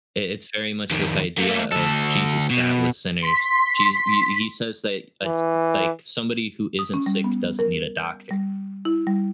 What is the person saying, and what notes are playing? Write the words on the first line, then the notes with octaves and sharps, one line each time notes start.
i it's very much this idea of Jesus sat with sinners, Jes he he says that a d like, somebody who isn't sick doesn't need a doctor,
F2 D#3
A3 A#3
D2 A4
B2
C6 B6
E3
D#6
C#4
G3
B3
A#4
G6
G3
E4
G3